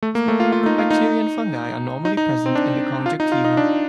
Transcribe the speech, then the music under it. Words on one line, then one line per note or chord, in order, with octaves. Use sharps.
A small number of bacteria and fungi are normally present in the conjunctiva.
A3
A#3
A3
F4
F4
D#4
F4
D#4
D#4
D#4
C4
D4
F4
D#4
F4
D#4
D4